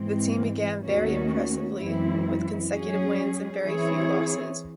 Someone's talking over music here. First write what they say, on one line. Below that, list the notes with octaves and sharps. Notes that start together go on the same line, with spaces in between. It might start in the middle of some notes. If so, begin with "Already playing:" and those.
The team began very impressively, with consecutive wins and very few losses.
Already playing: G#2 E3 G#3 C4
D#2 D#3 A3 C#4 F#4
F#2 E3 G#3 C4 E4
F#3 C#4 G#4
E3 C4 E4 G#4 C#5